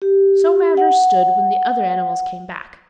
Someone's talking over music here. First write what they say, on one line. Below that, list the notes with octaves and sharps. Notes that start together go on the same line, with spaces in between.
So matters stood when the other animals came back.
G4
F#5